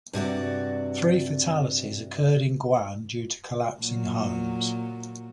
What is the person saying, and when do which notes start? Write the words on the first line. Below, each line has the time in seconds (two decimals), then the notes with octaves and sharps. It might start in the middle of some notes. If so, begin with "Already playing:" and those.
Three fatalities occurred in Guane due to collapsing homes.
0.13 G2 C3 F#4 D5
3.80 A#2 F#3